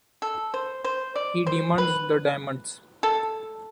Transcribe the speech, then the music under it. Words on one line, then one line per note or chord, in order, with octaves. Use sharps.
He demands the diamonds.
A4
C5
C5
D5
C5
B4
A4